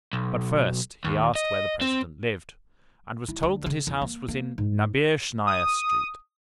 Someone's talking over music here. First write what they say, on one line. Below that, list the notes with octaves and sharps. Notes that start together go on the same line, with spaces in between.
But first he asked where the President lived, and was told that his house was in Naberezhnaia Street.
B1
D#2
D#5
C4
E4
D2
C#3
E2
A#3
A#3
G#2
D#6